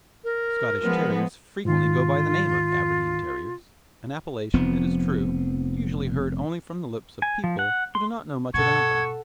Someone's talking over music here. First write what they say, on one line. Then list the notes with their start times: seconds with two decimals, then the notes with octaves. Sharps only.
Scottish Terriers frequently go by the name of Aberdeen Terriers--an appellation, it is true, usually heard only from the lips of people who do not know much about them.
0.24 A#4
0.81 F3 G#3 B3
1.65 G#2 D#3 F4
4.54 F1 F3 B3 C4
7.22 G#5
7.44 F3
7.59 F#5
7.95 C6
8.54 G2 B2 A4 F#5 C#6 G#6